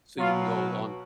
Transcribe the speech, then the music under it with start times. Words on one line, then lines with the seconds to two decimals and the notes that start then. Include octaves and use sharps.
So you can go a long
0.19 B2 F#3 F4
0.57 F#4